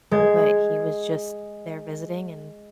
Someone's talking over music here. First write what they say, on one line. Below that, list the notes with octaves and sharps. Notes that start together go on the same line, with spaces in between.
but he was just there visiting and
G#3 G#6